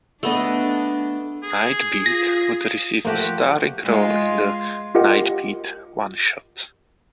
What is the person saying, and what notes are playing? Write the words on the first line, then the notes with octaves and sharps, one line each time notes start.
Nightbeat would receive a starring role in the ": Nightbeat" one-shot.
A3 B3 D4 D#5
G#4
F4 A#6
F3 A3 A#3 F#4 G4
G#3 F4
F4 G4 A#4 D#5 F#5 G5